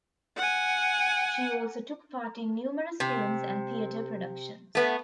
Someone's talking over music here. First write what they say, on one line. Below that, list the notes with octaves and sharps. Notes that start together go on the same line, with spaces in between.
She also took part in numerous films and theater productions.
F#5 G#5
C3
A3 B3